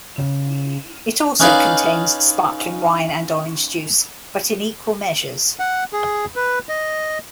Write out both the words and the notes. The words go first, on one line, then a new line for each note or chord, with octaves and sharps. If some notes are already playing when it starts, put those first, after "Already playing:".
It also contains sparkling wine and orange juice, but in equal measures.
C#3
C#4 D#4 B4 C#5 D5 F5
F#5
G#4
B4
D#5